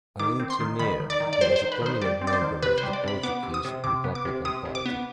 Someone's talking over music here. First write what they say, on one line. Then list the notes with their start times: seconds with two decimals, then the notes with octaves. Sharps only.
An engineer, he was a prominent member of the Portuguese Republican Party.
0.19 D#3 D6
0.40 C4
0.50 C6
0.60 D#3
0.79 D#3 B5
1.00 D#3
1.10 D5
1.20 D#3
1.33 D5
1.41 G3 C5
1.56 C5
1.62 D#3
1.72 B4
1.82 D#3 C5
2.02 G3 D5
2.21 C4
2.27 D5
2.33 C5
2.42 D#3
2.62 C3 B4
2.78 C5
2.83 G3
2.93 D5
3.04 C3 B5
3.23 B3 D6
3.43 C3
3.54 D#6
3.65 C3
3.84 C3 D6
4.04 B3
4.15 D6
4.25 C3
4.45 C3 D#6
4.65 C3
4.75 D6
4.86 B3